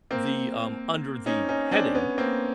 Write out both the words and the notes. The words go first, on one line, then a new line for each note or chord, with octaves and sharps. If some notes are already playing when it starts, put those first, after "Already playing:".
the um, under the heading
A#3 C4
C#4 D#4
C#4 D#4
C4 D4
B3 C#4
A#3 C4